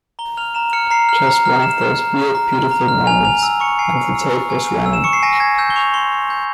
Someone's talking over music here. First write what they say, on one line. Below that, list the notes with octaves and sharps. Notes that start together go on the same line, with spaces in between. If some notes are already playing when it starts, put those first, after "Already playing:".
Just one of those weird, beautiful moments...and the tape was running.
A#5 G7
F6 F7
A#5 E7
F6 C#7
A#5 C7
F6
A#5
F6
A#5 E7
F6
A#5
F6
A#5
F6
A#5
F6
G#5 F7
G#5 F7
E6 F7
C#6 C#7
G#5 C7
G#5
E6
C#6
G#5
G#5
E6
E7
C#6 C#7
C7
G#5 A#6
A#6
G#5 G#6
E6 G6
G7
C#6 F7
C6 G7
C6
G6